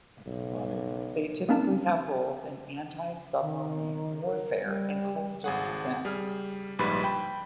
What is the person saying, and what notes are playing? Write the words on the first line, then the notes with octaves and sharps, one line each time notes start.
They typically have roles in anti-submarine warfare and coastal defence.
B1
A#3 C4 C#4 D#4 A#4 A5
D#3
A#4
G3
G#1 G#4 F#5
G3 G#4 F6
A#1 G#2 G3 B4 B5 B6
G5 B5